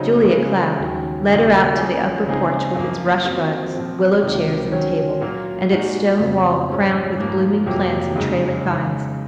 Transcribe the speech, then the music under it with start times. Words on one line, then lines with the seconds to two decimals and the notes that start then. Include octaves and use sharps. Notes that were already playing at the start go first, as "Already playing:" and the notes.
Julia Cloud led her out to the upper porch with its rush rugs, willow chairs, and table, and its stone wall crowned with blooming plants and trailing vines.
Already playing: C#3 F#3 C4 D#4
0.30 C#3 G#3 C#4
0.79 D#2 D#3 F#3 C#4
1.28 D#2 C#3 F#3 A#3 D#4
1.77 F3 A#3 C#4 G#4 C#5
2.27 C#3 G#3 C4 D#4 G#4
2.76 F#2 F3 A#3
3.25 F3 C4 F#4
3.74 A#2 F3 C4
4.22 C#2 C3 D#3 F#3 C4
4.72 D#3 F#3 C#4
5.21 A#2 F#3 A#3
5.70 A#2 G#3 D#4 F#4
6.19 F2 C#3 F#3 C4
6.69 G#2 F3 G#3 C#4
7.17 G#2 F3 A#3
7.66 F2 C3 F#3 A#3
8.16 F#2 C#3 G#3 D#4 G#4
8.65 C#3 G#3 D#4